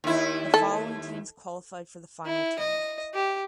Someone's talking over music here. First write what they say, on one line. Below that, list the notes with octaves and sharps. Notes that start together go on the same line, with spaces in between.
The following teams qualified for the final tournament.
D#2 E4
A4
E4
D#5
G4